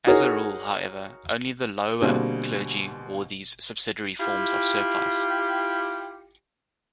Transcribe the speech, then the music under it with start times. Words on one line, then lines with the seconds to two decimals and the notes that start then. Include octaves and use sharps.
As a rule, however, only the lower clergy wore these subsidiary forms of surplice.
0.07 D#4 F#4 G#4 A#4 C#5
2.01 B2 D3 G3 A#3 C4 G#4
4.19 E4 F4 G4